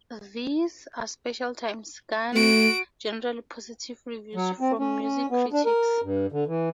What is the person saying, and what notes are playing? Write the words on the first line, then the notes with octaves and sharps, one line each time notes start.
"These Are Special Times" garnered generally positive reviews from music critics.
A3 F#4 D7
F#3
C4
C#4
C#4
B3
D4
A#4
G2
D3
E3